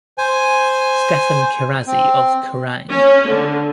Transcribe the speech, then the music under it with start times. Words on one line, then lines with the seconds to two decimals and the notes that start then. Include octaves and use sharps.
Steffan Chirazi of Kerrang!
0.18 C5 G#5
1.87 C4
2.90 C#4
3.27 D3